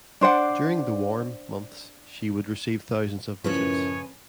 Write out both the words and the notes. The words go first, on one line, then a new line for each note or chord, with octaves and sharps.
During the warm months she would receive thousands of visits.
D4 C5 D5 F#5
F#2 A2 C#3 F3 C#4 B4 C#5